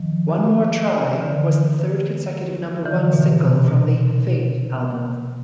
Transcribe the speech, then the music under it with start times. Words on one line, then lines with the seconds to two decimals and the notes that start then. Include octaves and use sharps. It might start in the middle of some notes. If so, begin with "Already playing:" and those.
"One More Try" was the third consecutive number one single from the "Faith" album.
Already playing: D#3 F3
1.21 D3 E3
2.85 D3 E3
3.13 B2
3.40 C3
3.68 B2